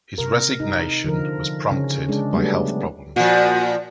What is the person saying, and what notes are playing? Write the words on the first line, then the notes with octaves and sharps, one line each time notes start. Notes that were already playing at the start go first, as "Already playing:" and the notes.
His resignation was prompted by health problems.
C3 A#4
D#4
D3 F3 A#4
C#3 C#4
G#3 D4
F#3 G3 A3 B3 D4
A#2 F3 F#4